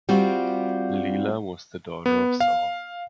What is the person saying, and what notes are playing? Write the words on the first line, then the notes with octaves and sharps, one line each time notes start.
Leela was the daughter of Sole.
G3 C4 F4 F#4
B3
F5